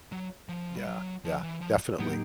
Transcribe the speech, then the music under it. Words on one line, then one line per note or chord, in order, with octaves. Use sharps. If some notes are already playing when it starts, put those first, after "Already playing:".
Yeah, yeah, definitely.
F#3
F3
G3
F#3
F3
E3
F3
A2 F#3 A#3 B3 D#4 G4